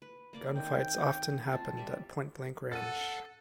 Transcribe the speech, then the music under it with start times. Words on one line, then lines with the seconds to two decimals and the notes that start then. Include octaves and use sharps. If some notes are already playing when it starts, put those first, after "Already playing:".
Gunfights often happened at point-blank range.
0.02 B4
0.33 A#3 D5 D6
0.56 D#3 C4 G5
1.31 C#4
1.53 C4 F4 A5
1.77 G3 C4 E5
2.72 A4 F#5 A6 D#7